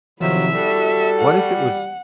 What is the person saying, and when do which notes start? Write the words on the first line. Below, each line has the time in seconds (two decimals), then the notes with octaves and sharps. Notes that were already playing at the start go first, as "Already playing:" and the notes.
What if it was
0.21 F2 C3 D#3 F3 F#3 E4 E5
0.54 G3 F#4 A4
1.20 F#5